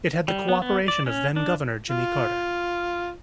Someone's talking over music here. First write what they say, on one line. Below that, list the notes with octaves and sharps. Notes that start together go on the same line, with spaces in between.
It had the cooperation of then-Governor Jimmy Carter.
G3
B3
B3
D5
C#4
D4
F4